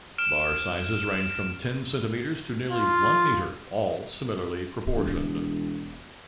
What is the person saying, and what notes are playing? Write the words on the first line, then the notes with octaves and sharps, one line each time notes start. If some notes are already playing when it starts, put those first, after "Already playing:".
Bar sizes range from ten centimetres to nearly one metre, all similarly proportioned.
F6 D7 E7
F4
E1